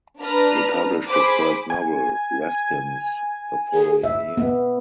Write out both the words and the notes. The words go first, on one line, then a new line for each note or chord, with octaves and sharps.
He published his first novel "Raskens" the following year.
D4 B4 A#5 F6
G#4 C5 B5 D6
G#5
G#4
E5
B3